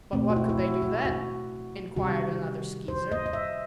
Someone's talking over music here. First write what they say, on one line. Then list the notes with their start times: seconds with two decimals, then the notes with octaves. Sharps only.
"But what could they do then?" inquired another Skeezer.
0.13 B2 A3 C4
0.30 F#4
0.36 E4
0.49 E4
0.59 F#4
0.82 F#4
1.05 F#4
1.96 C3 D#3 G3 F#4
2.88 C5
3.12 D#5
3.26 D#5
3.33 E5